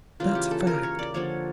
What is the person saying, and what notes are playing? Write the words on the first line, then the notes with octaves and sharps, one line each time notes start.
That's a fact!
C#3 E3 A#3 F4
G4
A4
A#4
C#5
D5
D3 F3 A#3 C#5